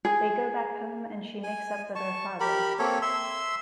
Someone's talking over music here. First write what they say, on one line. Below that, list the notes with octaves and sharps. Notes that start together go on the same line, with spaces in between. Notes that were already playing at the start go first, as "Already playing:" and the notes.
They go back home and she makes up with her father.
G#4
G#5
A5 C#6
G4 A#4 B5
A#3 C4 A4 C#5
E5 C6 E6